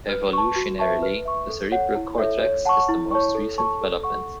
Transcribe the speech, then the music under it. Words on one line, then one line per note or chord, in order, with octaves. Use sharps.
Evolutionarily, the cerebral cortex is the most recent development.
B4
A5 C#6
F#4
B4 E5 A5 C#6
B4
E5 C#6
A4
C#5 F#5
E4
A4 C#5 E5
C#5
F#5 A5 C#6
E4
C#5 A5 C#6
A4
C#5 A5 C#6
A4
F#5 C#6